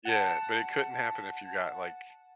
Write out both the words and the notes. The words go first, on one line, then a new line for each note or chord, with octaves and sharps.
Yeah, but it couldn't happen if you got, like,
F#5 A5